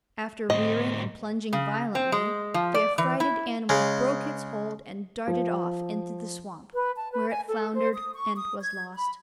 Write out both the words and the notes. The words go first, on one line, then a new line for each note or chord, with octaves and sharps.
After rearing and plunging violently, the affrighted animal broke its hold and darted off into the swamp, where it floundered and was lost.
A2 C4 D#5
C#3
C4
G#3
F3
D5
E3
E4
C#3 G#3
F3
B4
A5
B4
G#5
A4
C5
D#6
C#6
D#6
G#6
B5